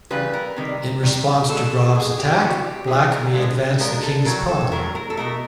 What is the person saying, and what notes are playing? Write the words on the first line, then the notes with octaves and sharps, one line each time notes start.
In response to Grob's Attack, Black may advance the king's pawn.
C#3 E3 G3 B4
A#4
C3 D#3 G3
C3 D#3 G3
B2 G#3 A4
B2 G#3 G#4
G4
C3 E3 G3 F#4
G4
C3 E3 G3 G#4
A#4
D3 F3 G#3
D3 F3 G#3 A#4
A4
A2 F#3 A3 A#4
A4
A2 F#3 A3 A#4
A#4
A4
B2 F#3 A3 A#4